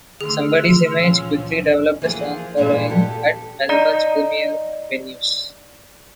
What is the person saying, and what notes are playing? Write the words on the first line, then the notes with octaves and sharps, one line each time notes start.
Somebody's Image quickly developed a strong following at Melbourne's premier venues.
D3 D#3 A3 G#4 C6 E6 F6
C#2 A#2 E3 F3 C#4 F4
E3 F3 A#3 G#4
G2 A#2 E3 G#3
G4 A4
D#4 D5